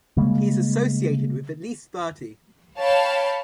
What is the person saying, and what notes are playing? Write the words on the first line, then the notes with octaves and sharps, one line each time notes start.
He is associated with at least thirty.
C#3 G3 G#3 A#3
C#5 F5 G5 A5 B5